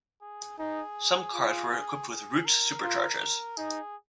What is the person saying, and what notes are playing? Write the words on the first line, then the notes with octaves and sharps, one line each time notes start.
Some cars were equipped with Roots superchargers.
G#4
D#4 G#4
F4
G#4
A#4
F4
D#4 G#4